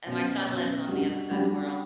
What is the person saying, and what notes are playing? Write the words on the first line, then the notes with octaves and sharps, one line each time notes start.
And my son lives on the other side of the world.
B2 F#3 C#4
B2 F#3 C#4
G3 D4 F#4
G3 D4 F#4